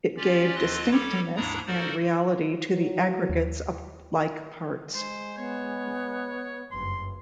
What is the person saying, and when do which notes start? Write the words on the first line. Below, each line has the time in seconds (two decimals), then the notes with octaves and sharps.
It gave distinctness and reality to the aggregates of like parts.
0.17 C#4 F4 G4 D5
0.55 D#2 C4 F4 D#5 C6 F#6
0.91 G3 A4 C#5 D6
1.36 D#2 G#2 D4 E4 A#5 D#6
1.67 D#4 F#4 A4 A#4 C5 D5
2.71 F#3
3.30 D#2
4.94 G#3 C5
5.37 B3 C#5
6.71 F#1 G2 C6